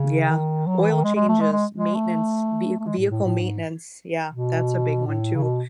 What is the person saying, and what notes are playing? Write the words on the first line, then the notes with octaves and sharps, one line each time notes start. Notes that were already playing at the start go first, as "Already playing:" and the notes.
Yeah. Oil changes, maintenance, vehic vehicle maintenance. Yeah, that's a big one too.
Already playing: C#3
D#3
F#3
E3
D#3
G#3
G#3
A3
G#3
G#3
G#3
A3
A3
G#3
A2
A2
A2
G#2
B2
A2
C#3
B2